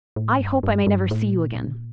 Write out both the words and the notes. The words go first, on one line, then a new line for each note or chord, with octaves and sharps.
I hope I may never see you again.
A2
G2
G2
G2
A2
A#2